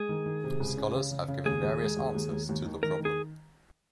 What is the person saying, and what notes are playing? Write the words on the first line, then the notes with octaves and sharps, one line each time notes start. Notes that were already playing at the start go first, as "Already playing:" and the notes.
Scholars have given various answers to the problem.
Already playing: G#3 G#4
D#3
D#3
C3
C#2
C#4
C#3
C#3
C#3
D#2 G#4
D#2
G#3
D#2
D#2
D#2
D#2
D#3
D#3 A#4
D#3
G#4